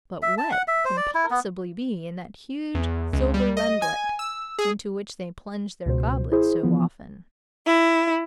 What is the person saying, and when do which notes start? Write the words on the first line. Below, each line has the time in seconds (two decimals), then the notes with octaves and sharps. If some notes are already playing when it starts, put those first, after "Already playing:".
But what can possibly be in that huge silver rundlet into which they plunge their goblets so often?
0.22 E5
0.38 A5
0.52 F#5
0.68 E5
0.85 C5
0.97 D5
1.14 E4
1.31 B3
2.74 E2
3.13 C#2
3.34 G3
3.57 D#5
3.82 G#5
4.19 E6
4.59 G#4
5.86 C#2 B2 C5
6.32 E4 G#4 C5
6.63 E3 F3 B3
7.67 E4